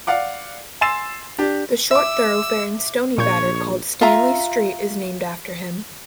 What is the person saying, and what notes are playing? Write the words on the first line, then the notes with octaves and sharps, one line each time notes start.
The short thoroughfare in Stoneybatter called Stanley Street is named after him.
D5 F5 F#5 D6
G#5 C6 E6 A6 C7 E7
D4 G4
E5 D6 E6
A#1 A#2 C#5 C#6 G6
F4 E5 A#5